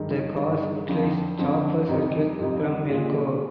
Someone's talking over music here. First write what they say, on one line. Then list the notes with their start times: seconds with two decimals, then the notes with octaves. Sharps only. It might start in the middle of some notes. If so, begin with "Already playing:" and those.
The cars utilized chopper circuits from Melco.
Already playing: G2 D#3 G#3
0.38 G2 D#3 G#3
0.88 F2 D3 F3 C4
1.39 F2 D3 F3 C4
1.88 F2 C3 G3 C4 D#4
2.39 F2 C3 G3 C4 D#4
2.89 A#2 G#3 D4 F4 G#4